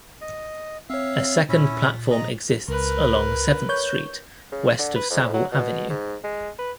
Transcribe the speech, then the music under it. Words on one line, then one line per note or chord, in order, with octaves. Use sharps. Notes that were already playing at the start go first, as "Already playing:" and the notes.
A second platform exists along Seventh Street west of Saville Avenue.
D#5
C4 C#5 E5 F5
A#2 C#4 E4
D#5 A#5
C#2 A#4 B4
C#5 G6
C#3
D3
B4
F2
F#3
B2
G#2
G#3
B4